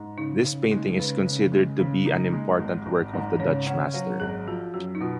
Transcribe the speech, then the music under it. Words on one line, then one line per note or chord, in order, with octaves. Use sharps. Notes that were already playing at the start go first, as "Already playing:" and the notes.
This painting is considered to be an important work of the Dutch master.
Already playing: G#2
C#3 D#4
C#3
G#3 D#4
C#3 B4
C#3
G#3
C#3
D#4
G#3
G#1
G#1
G#2
C#3 C#5
C#4 F#5
F#3 F5
G#1 G#4
F3 F#4
F#2 F#4
D#4
B2 F4